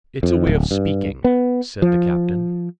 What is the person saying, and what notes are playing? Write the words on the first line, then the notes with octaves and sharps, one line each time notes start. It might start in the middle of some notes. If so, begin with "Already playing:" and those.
"It's a way of speaking," said the captain.
F2
D1
G2
B3
F3